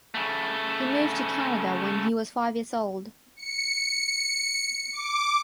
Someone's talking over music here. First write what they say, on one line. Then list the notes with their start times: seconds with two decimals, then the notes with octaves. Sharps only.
He moved to Canada when he was five years old.
0.15 C#3 A3
3.36 C#7
4.93 D6